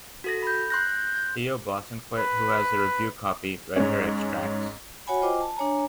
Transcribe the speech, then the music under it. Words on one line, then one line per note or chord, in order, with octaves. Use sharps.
Theo Bosanquet, who has a review copy, read her extracts.
F#4 A4 A#6
B5 G6
C6 F#6 G6 A#6
B4
G#2 C#4
F#4 C#5 F#5 G#5 B5
F4 C5 D#5 G5 G#5 D6
A5
D4 C#5 G#5 A#5